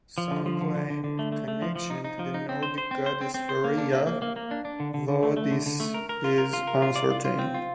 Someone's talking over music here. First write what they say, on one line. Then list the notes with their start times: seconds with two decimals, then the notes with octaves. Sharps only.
Some claim a connection to the Nordic goddess Freyja, though this is uncertain.
0.18 F3
0.31 D3
0.46 F3
0.61 D3
0.75 D3
0.90 D3
1.04 D3
1.19 A3
1.32 A3
1.48 A3
1.62 F3
1.76 F3
1.90 D#4
2.04 D#4
2.19 F3
2.34 D#4
2.49 C4
2.63 C5
2.78 C5
2.91 C4
3.06 C5
3.21 C4
3.34 C4
3.49 C5
3.64 A#3
3.78 D4
3.93 A#3
4.07 A#3
4.22 A#3
4.36 A#3
4.51 D4
4.65 D4
4.80 D3
4.94 D3
5.08 D3
5.23 A3
5.37 A3
5.51 D3
5.66 D3
5.80 A3
5.94 A#4
6.09 A#4
6.24 F4
6.38 A#4
6.53 F4
6.67 A#4
6.82 F4
6.96 D5
7.11 F4
7.25 F4
7.39 C4
7.54 F4